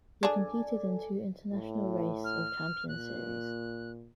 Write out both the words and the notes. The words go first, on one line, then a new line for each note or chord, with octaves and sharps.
He competed in two International Race of Champions series.
D4 G#4 A4 D5 G#5
A2
F6
A#2 F#6